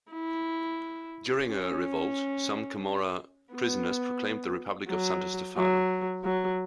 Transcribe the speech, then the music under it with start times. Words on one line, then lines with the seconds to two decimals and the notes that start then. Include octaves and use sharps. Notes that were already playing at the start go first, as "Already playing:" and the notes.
During a revolt, some Camorra prisoners proclaimed the Republic of Santo Stefano.
0.12 E4
1.48 C#4
3.53 B3
4.89 F#3
5.57 F#3
6.24 F#3